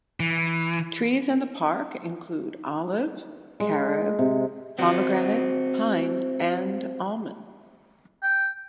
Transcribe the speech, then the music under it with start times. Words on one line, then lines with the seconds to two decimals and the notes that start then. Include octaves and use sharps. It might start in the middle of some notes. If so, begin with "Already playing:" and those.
Trees in the park include olive, carob, pomegranate, pine and almond.
0.20 E3
3.60 G#3
4.19 C3
4.79 C4 F#4
8.23 G5